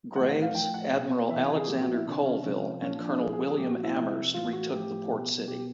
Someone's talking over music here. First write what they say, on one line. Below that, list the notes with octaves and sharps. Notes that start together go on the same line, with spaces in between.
Graves, Admiral Alexander Colville and Colonel William Amherst retook the port city.
A2 E3 F#5
F#5
F5
A2 F3 G5
F#5
B2
E3 E5
C3
G#4
A#2 F3 G4
F#4
E4
C3 D#3 D4
C#4
D4
C3 F3 C#4
A#2 F3 C#4
D4
D4
A#2 F3 G#4
G#4
G#4
A#2 F3 G4
F#4
E4
C3 F3
A2 E3 F4
F#4
A2 F3 G4
B2
B2 G4